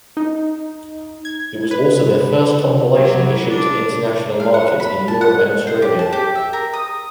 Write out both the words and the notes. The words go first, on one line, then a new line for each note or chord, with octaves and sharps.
It was also their first compilation issued to international markets in Europe and Australia.
D#4
G#6
B4
F#3 G3
D4
F5
F#5
B5
A5
F#5
C5
G4
A5
G4
E5
A#4
D#6